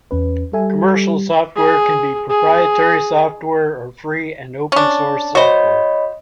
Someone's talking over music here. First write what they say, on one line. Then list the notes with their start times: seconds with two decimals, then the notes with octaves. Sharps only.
Commercial software can be proprietary software or free and open source software.
0.11 E2 C#4 B4
0.53 G3 A4 E5 G#5
1.56 G#4
2.30 G#4
4.72 C#4 D4
5.35 F#4 C5 C#5 D#5 B5